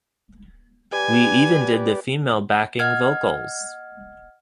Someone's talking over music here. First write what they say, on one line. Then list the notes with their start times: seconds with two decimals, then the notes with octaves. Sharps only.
We even did the female backing vocals.
0.93 G4 B4 D5 G#5
2.79 D#5 F#5 F6 G#6